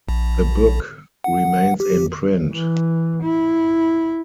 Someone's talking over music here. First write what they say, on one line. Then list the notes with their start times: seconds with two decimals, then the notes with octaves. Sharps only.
The book remains in print.
0.09 A#1
1.24 F#5
1.80 G4
2.52 E3
3.22 E4